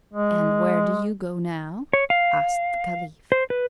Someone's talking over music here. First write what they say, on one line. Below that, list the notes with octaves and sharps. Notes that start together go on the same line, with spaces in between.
"And where do you go now?" asked the Caliph.
G#3
C#5
F5
C5
B4